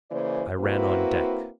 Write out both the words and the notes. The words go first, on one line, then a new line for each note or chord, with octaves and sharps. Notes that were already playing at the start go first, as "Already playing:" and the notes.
I ran on deck.
C#3 E3 A#3 C5 D5
A#3 C4 E4 F#4 B4